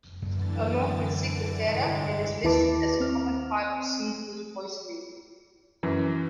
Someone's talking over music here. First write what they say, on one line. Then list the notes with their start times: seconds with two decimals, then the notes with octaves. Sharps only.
Along with ciguatera, it is listed as a common type of seafood poisoning.
0.22 F#2 D3 E3 A#3 A6
1.67 G2 C3 G#3
2.44 D#2 E4 B4 A5 D6
3.00 C4 F6
5.83 F#2 E3